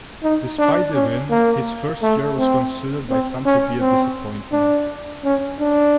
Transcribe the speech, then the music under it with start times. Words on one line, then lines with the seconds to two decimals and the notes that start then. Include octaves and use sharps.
Despite the win, his first year was considered by some to be a disappointment.
0.23 D#4
0.59 D4
0.94 C#4
1.30 A#3
2.02 A3
2.38 C4
3.10 C4
3.46 C#4
3.80 C4
4.52 D4
5.24 C#4
5.59 D4